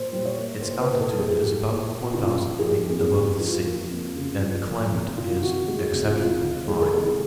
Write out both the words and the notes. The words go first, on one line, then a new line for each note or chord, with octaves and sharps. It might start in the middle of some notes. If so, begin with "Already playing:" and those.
Its altitude is about four thousand feet above the sea and the climate is exceptionally fine.
Already playing: A#2 C5
G3
C#5
A#3
A#2 C5
B4
A#2
A4
G3
G#4
A#3 G4
A#2
A#2
C#3 F4
F3
G#4
A#3 G4
F2 G#4
C#3 G4
F3 F4
A#3
F2
C#3
F3
A#3
F2
C3 F4
D#3 F#4
G#3 F#4
C2
E4
F4
C3
F4
D#3
G#3 G#4
A4
C2 G#4